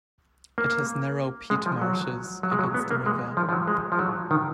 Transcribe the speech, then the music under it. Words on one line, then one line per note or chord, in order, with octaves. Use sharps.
It has narrow peat marshes against the river.
A#3
G#3
F3
F#3
F#3
G#3
F#3
B3
A#3
G#3
F3
F3
F#3
G#3
F3
F#3
D#3